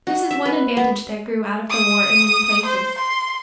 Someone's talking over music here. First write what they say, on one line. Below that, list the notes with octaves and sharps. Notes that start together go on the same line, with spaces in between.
This is one advantage that grew out of the war in many places.
F#4
E5
B4
B3
D#6
C5
C6